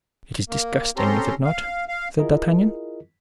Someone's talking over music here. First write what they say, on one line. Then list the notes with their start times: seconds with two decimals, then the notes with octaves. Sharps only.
"It is disgusting, is it not?" said D'Artagnan.
0.50 A#3
0.97 C4 C#4 G4 A4 A#5 C6
1.45 F5
1.88 F5
2.19 E4 F4 G#4 A#4 D#5